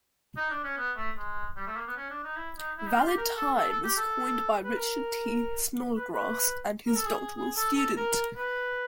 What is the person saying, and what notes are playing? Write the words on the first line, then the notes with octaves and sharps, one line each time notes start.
"Valid time" was coined by Richard T. Snodgrass and his doctoral student.
D#4
D4
C#4
B3
A3
G#3
G3
A3
A#3
B3
C#4
D4
D#4
E4
D#4
E4
D#4
F4
G4
A#4
A4
A4
A4
G4
A4
B4
A#4
B4
B4
A#4
A4
G#4
G#4
G#4
A4
A4
A#4
B4